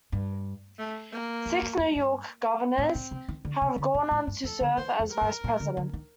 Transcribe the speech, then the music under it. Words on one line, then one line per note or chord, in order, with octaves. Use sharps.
Six New York governors have gone on to serve as vice president.
G2
A3
A#3
F2
G2
F2
G2
A2 C4
A#2
C3
D#3
D3
C3
D3
A#2
A2 D4
G2
F2 A4
D3
D#3 C5
F2
A#4
G2
A#2
D3
D3
D#3